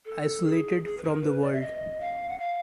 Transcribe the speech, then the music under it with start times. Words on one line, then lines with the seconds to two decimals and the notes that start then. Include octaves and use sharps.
"Isolated From The World".
0.05 A4
0.45 G#4
0.84 G#4
0.97 B4
1.03 A#4
1.22 B4
1.42 D5
1.52 E5
1.61 D#5
2.00 F5
2.28 F#5
2.39 F5